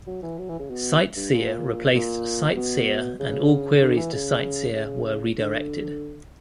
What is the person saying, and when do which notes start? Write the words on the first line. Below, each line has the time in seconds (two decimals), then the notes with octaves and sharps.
CiteSeer replaced CiteSeer and all queries to CiteSeer were redirected.
0.07 F#3
0.23 E3
0.38 F#3
0.49 E3
0.59 C#3
0.70 B2
1.16 G2
1.32 A#2
1.95 A#2
2.57 B2
3.19 C#3
3.82 D3
3.97 E3
4.12 C#3
4.76 C#3
5.38 D3